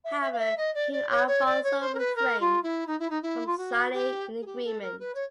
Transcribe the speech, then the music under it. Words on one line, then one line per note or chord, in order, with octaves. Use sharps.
However, King Alfonso refrained from signing an agreement.
E5
E5
F5
E5
D#5
D5
D5
C#5
C#5
D5
C#5
C5
A#4
B4
A#4
F4
E4
D#4
E4
D#4
E4
F4
F#4
G4
G#4
G4
A4
A#4
B4
C#5